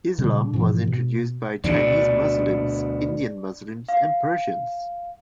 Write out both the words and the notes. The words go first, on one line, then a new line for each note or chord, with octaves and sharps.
Islam was introduced by Chinese Muslims, Indian Muslims, and Persians.
A#2 C#3 G3
G#2 B2 E3 F3
B2
D2 B2 D4
F5